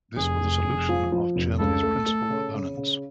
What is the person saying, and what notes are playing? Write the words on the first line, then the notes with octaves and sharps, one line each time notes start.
This was the solution of Germany's principal opponents.
F1 G#4
F1
F1
F3
F3
F1
C#2 A4
A3
A3
C#3
C#3
C#3